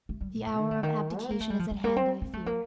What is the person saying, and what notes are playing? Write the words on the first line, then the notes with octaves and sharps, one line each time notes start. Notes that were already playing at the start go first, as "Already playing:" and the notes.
The hour of abdication is at hand, I fear.
A3
G3
A#2
A2
D#3
D3
D#3
C4
A#3
A3
G3
F3
G3
A#3
C4
C4
A3
A#3